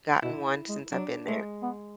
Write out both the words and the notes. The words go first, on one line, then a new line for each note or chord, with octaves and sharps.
gotten one since I've been there.
B2 E4
G#3
F#3 D4
G#3 A3
B3